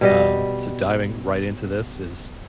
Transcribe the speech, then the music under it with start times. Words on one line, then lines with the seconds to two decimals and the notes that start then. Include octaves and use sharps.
um, so diving right into this is,
0.01 B2 G3 D#5